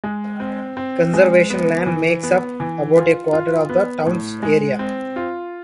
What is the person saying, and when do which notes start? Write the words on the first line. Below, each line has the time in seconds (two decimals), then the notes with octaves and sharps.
Conservation land makes up about a quarter of the town's area.
0.04 G#3
0.40 C4
0.77 C4
1.14 G#3
1.50 B3
1.86 E3
2.23 B3
2.60 E3
2.96 F4
3.33 F4
3.69 B3
4.06 A2
4.43 G#3
4.79 C4
5.16 F4